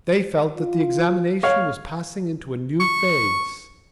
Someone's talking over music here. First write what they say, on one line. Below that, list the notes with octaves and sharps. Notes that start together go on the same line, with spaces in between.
They felt that the examination was passing into a new phase.
F4
C#5 F5
C#6